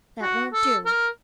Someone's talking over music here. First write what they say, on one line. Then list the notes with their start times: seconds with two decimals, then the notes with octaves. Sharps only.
'That won't do.
0.22 F#4
0.53 A4
0.85 A#4